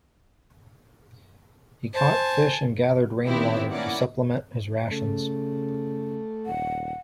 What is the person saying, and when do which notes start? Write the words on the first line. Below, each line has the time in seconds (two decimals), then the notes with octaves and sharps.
He caught fish and gathered rainwater to supplement his rations.
1.94 C5 G#5 A5
3.26 A#2 D#3 B3 C4 E4 G4
3.72 A#3 C#4 E4 D5 F#5
4.91 C#3 A3
6.46 D#1 F#5